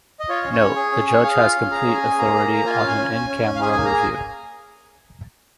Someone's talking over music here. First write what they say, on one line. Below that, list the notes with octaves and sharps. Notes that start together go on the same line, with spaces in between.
Note: The judge has complete authority on an in-camera review.
D#5
F4 C#5
C#4
C#5
C#4
G#4
C#4
G#4
G#4 F5
F4
C#4
G#4 A#5
C#4
G#5
G#4
A#3 A#5
A#3
A#3
F4 G#5
F5
C#4
G#5
C#4
C#4
C#4
C#4
F5
G#4 G#5
A#3 G#5
A#5
G#4 G#5